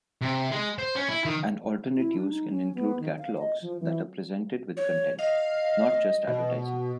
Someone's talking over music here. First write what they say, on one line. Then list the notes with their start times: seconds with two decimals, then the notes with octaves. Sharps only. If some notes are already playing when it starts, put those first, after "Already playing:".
An alternate use can include catalogs that are presented with content, not just advertising.
0.21 C3
0.51 G#3
0.79 C5
0.96 C#4
1.09 E4
1.25 D#3
1.97 E4
2.14 D4
2.30 D#4
2.50 C#4
2.75 B3
3.00 D#3
3.19 F5
3.38 D#5
3.62 F3
3.80 E3
4.77 C#5
5.19 D#5 F5
6.27 B2